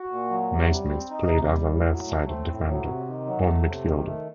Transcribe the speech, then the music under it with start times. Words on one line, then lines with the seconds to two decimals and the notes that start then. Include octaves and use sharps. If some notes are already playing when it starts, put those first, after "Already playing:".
Naysmith played as a left-sided defender or midfielder.
Already playing: F#4
0.11 A#2
0.30 F#3
0.50 C3
0.70 G3
0.90 C4
1.10 D#4
1.29 C3
1.50 G3
1.69 A2
1.89 F#3
2.08 A3
2.28 C4
2.48 A2
2.68 F#3
2.87 C3
3.07 D#3
3.27 F#3
3.47 A3
3.65 C3
3.86 D#3
4.06 A3